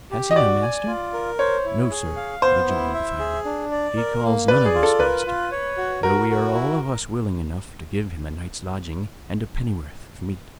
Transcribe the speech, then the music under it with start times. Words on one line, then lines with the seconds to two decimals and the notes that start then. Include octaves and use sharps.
Has he no master?' 'No, sir,' rejoined the fireman; 'he calls none of us master, though we are all of us willing enough to give him a night's lodging and a pennyworth of meat.
0.11 G4
0.31 D#5
0.36 F#4 D5
0.62 G#5
0.87 F4
1.13 A#4
1.39 C5 C#5
1.65 E4
1.91 G#4
2.16 F5
2.42 B3 C5
2.68 E4
2.94 E5
3.19 G#4
3.45 D4
3.71 D5
3.97 A#4
4.23 A#3
4.48 B4 D5
4.66 G#4
4.74 F4
4.83 A4
4.99 A#4 B4
5.26 F4
5.52 C#5
5.77 F#4
6.03 F#4 A#4
6.29 F#4
6.54 E4